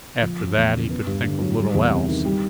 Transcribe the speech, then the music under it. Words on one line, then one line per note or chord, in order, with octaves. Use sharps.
After that he could think of little else.
F3
E1
E2
C#3
B3
G2
D3
F#3
G3
E2
C3
D#3
G3